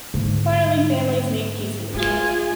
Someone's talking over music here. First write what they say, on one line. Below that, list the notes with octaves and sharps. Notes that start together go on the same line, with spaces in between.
Finally, families made peace with each other.
G#2 D3 G3
G#3 F4 G#4